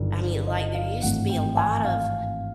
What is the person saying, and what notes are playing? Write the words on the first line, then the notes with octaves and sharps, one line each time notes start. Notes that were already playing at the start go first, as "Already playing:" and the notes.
I mean, like, there used to be a lot of
Already playing: G1 G2 D#3 F#3
D#5
F5
G#1 G2 E3 A3 C4 F#5
G5
G#5
F5